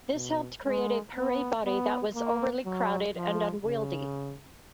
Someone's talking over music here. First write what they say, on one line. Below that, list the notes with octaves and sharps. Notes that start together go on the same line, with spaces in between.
This helped create a parade body that was overly crowded and unwieldy.
B2
G#3
B3
B3
A#3
F#3
F3
C#3